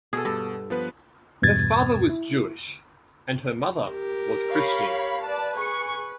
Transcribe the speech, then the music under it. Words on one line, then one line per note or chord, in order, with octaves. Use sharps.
Her father was Jewish and her mother was Christian.
B2 G#4 A4
G2 A4
F3 B3 B4
E2 G2 B2 G#6 A6
E4
G4 A#4
C#5 F5 B5
B4 D5 A5
G#4 C#6